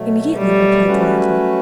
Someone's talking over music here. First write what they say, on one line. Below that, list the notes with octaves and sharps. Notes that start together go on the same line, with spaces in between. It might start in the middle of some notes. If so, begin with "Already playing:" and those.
"Immediately," replied the landlord.
Already playing: B2 F#3 A3
G3
F#3 A3 C#4 F#4 B4